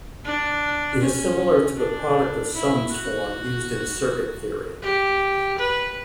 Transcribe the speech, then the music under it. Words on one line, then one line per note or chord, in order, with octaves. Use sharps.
It is similar to the product of sums form used in circuit theory.
D4
C#4
D4
E4
F#4
G4
B4